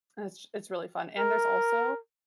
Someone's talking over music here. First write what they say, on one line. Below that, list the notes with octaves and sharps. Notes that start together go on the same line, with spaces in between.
it's it’s really fun, and there's also
A#4